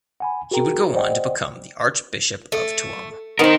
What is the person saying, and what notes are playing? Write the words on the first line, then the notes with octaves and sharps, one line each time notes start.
He would go on to become the Archbishop of Tuam.
F#5 G#5 B5
F#4 G#4 A#4 G5 A#5
C5 D5 D#5 F#5 G5
A3
B3 C4 D#4 A#4